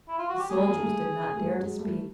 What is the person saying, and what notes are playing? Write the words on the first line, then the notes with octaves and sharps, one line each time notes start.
The soldiers did not dare to speak.
E4
F4
F#4
G4
G3 A3 G#4
A#3
G3 A3
G3 A3
F#3 G#3
G3 A3